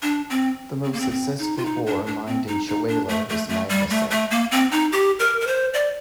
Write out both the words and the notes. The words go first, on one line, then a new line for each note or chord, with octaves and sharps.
The most successful ore mined in Chewelah was magnesite.
D4
C4
C4
A#3
C4
C4
D#4
F4
D#4
D4
D4
C4
D#4
D#4
D4
A3
A3
A3
G3
A3
A3
A#3
C4
D#4
G4
A#4
A#4
C5
D5